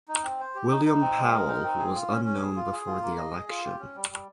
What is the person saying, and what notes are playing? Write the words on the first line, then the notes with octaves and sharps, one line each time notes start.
William Powell who was unknown before the election.
D#4
C4
C5
G4
D#4
D#4
C4
G#3
A#4
D#4
C4
G#4
F4
C#4
C#4
G#4
F4
G#4
F4
A#3
D#5
G#4
F4
G4
C#4
G3
G3